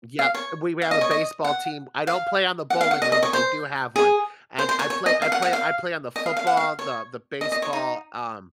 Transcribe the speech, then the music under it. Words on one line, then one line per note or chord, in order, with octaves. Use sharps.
Yep. Uh, we we have a baseball team, I don't play on the bowling league, but they do have one, and I play I play I play on the football, the the baseball, um,
F5
C#5
F5
D#5
C#5
D#5
F#5
F5
F#5
F5
F#5
D#5
D#5
C#5
C5
G#4
C5
C5
C#5
C#5
D#5
F5
F#5
F#5
F5
D#5
F5
F5
F#5
F5
C#5
D#5
D#5
C#5
D#4